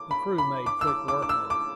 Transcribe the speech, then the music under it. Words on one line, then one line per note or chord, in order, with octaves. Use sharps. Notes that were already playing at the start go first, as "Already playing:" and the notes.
The crew made quick work of it.
Already playing: D6
B5
B5
D6
E6
D6
D6
D6
E6
D6